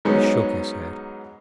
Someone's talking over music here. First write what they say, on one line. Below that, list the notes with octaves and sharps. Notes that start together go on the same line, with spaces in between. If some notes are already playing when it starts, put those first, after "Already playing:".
He shook his head.
G#2 F#3 G#3 B3 C#4 D#4